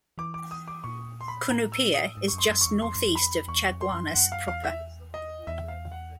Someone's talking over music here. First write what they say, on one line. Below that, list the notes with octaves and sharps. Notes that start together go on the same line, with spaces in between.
Cunupia is just northeast of Chaguanas proper.
E3 D6
D6
D#6
D6
A#2 C#6
C6
B5
A2 A#5
E6
D#6
G#2
C#6
F#2
C6
F#2
E2 C#6
F2 C6
F#2
F2
B5
E2 C#6
F2
C6
F#2
F#2 F#5
F5
E2 F5
E5
D#5
E2 E5
F5
F#5